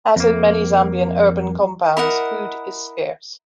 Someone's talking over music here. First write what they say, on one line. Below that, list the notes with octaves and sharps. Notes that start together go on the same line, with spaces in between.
As in many Zambian Urban Compounds, food is scarce.
F2 A#3
E4 A#4 D#5 F#5